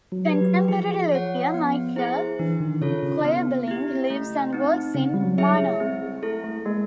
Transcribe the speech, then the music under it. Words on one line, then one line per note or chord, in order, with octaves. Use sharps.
Contemporary luthier Michael Koeberling lives and works in Murnau.
F#3
G4 B4
F#3
F3 G#4
C#5 F#5
B3
E4 G#4 C5
E3 D4
D#3
C#3 F4 A4 C#5
C#3
B3
E4 G4
A3
C4 D#4
C#3 C4
G3
F#3
E4 G#4 C#5 E5
G3
G#3 C4
G#3
A3 E4 A4
A3
G#3 A#3